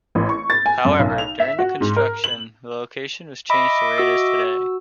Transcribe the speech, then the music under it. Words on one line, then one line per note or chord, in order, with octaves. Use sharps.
However, during the construction, the location was changed to where it is today.
A1
C#6
A6
G#5
F#2
B1
F7
E5
F#4
G#2
A#4
F#7
D#5 E5 B5 D6
F#4 E6